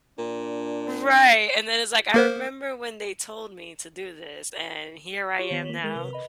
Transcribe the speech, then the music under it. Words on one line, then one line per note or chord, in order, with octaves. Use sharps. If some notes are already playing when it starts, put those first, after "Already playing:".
Right, and then it's like, "I remember when they told me to do this, and here I am now"
A#2 D4
A#3 A#4 C5
F4 G4 C#5
D#3 B3 B6
A#3
G#3 A#4 F7 G7
C3 B4
D#5 B5